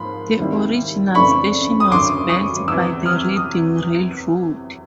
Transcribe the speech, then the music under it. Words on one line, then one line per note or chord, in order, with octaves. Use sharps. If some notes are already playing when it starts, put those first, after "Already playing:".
The original station was built by the Reading Railroad.
Already playing: G#2 F3 A#3 B5 C6
D#2 D#3 G3 C4 E4
F2 C#3 E3 A3 D4 B5 C#6
D#6
G#1 F#2 D3 C6 D6
C#6 D#6
E2 C3 E3 D6 E6
D#6 F6
D#6